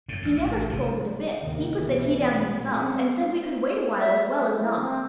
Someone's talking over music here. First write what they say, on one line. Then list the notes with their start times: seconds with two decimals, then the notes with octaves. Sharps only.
He never scolded a bit. He put the tea down himself and said we could wait awhile as well as not.
0.08 F#2 A2
0.22 A1 F2 A2
0.36 A1 G#2
0.70 F1 F3
1.42 D#2 C3 D#3
1.80 B1 E2 B2 E3
2.36 A#2
2.68 G#3 C4 C#4
3.99 E5
4.31 A4
4.54 E4
4.81 C4